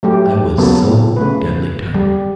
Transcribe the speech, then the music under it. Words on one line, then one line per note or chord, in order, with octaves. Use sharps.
I was so deadly tired.
F#3 A3 G4
C#3 F#3 A#3 B3 A4
C#3 A3 B4
G3